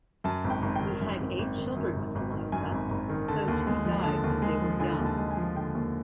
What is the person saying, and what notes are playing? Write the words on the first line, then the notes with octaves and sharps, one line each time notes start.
He had eight children with Eliza, though two died when they were young.
F#2 A5
G#1
G5
G#1
G5
D#3
F#2
G#1
G#1
D#3
F#2
G#1
G#1
D#3
F#2 G#5
G#1
G#1
D#3
D3 A5
D#2
G#3
F3
D3 A5
D#2
G#3
F3
D3 G#5
D#2
A5
G#3
G#5
F3
D3 G5
D#2